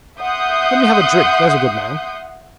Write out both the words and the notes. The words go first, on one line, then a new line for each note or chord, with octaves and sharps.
Let me have a drink, there's a good man.
E5 F#5 C6 D#6 G6